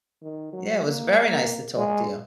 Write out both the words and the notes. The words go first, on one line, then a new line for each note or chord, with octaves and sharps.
Yeah, it was very nice to talk to you.
D#3
F#3
A#3
G#3